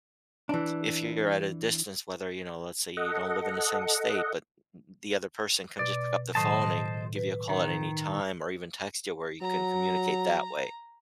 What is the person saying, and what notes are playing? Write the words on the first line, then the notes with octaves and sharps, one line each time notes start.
if you're at a distance, whether, you know, let's say, you don't live in the same state, but th th the other person can just pick up the phone and give you a call at any time or even text you where you can communicate that way.
E3 D4
A4 D#5 F#5
B2 D5
A2 D#3 F#3 C5 D#5 A5
B4
D#3
F#3 A#5